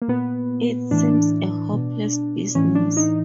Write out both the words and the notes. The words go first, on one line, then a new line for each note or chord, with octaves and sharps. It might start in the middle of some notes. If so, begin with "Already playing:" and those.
It seems a hopeless business.
A#3
A#2 B3
A2 E3 D4
B2
A2 E3 C#4
D4
D#4